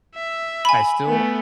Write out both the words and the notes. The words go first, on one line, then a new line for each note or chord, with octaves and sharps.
I still
E5
G#5 B5
A3 B3